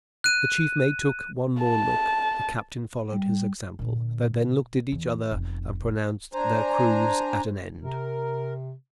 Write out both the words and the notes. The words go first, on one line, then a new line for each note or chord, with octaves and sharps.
The chief mate took one more look--the captain followed his example; they then looked at each other, and pronounced their cruise at an end.
F#6 D#7
A5
G3
A#2 D3
E2
F1 B2
D4 C5 G#5 A#5
C3 A#4